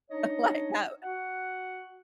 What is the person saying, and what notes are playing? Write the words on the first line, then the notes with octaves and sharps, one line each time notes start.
like, have
D4 D#4 C#5 D#5
F#4 F#5